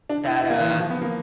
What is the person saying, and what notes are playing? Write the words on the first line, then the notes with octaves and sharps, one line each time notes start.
that, uh
D4
E4
E4
A#3
E3
D#3
F3
B3
A#3